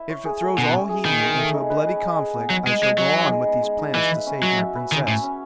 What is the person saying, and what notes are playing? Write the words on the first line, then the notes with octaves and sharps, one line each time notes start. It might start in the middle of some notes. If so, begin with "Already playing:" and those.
If it throws all Helium into a bloody conflict, I shall go on with these plans to save my Princess.
Already playing: E4 B4 E5
C#5
G#4
A3
B2 C#4
C#5
G#4
D#3 B4
G#4
A3
D#4
B4
G#4
D#5
G#4
B3
F#3 D#4
G#3 D#5
G#3 G#4
F#3 G#3
D#4
G#3
B3
G#3
D#4
E3 E5
B4
C#4
F#3 F#4
E5
B4
D#3 C#4
A2 C#5
C#4